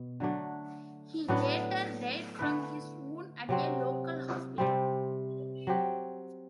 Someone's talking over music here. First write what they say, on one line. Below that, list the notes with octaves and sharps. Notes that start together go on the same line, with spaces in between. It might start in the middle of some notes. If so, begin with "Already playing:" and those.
He later died from his wound at a local hospital.
Already playing: B2
D3 F#3 A3 D4
A2 F#3 B3 D4
D3 A3 E4 B4
C3 F#3 C4
C3 G3 C4
F#3 C4 G4